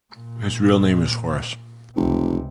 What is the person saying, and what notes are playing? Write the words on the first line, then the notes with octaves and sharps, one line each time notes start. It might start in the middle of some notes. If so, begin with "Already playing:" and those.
His real name is Horace.
A#2
F1 C#2 C3